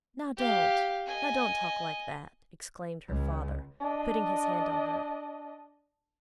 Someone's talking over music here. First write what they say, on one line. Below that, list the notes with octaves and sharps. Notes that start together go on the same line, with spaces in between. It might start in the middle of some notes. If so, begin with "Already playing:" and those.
'Now don't--now don't talk like that!' exclaimed her father, putting his hand on her.
G4 F5
D#5 G#5
C#2
D4 D#5